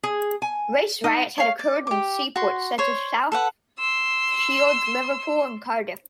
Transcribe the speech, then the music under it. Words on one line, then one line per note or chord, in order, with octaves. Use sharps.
Race riots had occurred in seaports such as South Shields, Liverpool and Cardiff.
G#4
G#5
D#4
C#5 F5
D5
G4 D6
F#4 C6
C5 C#5
A4 B4 F#5
C6 E6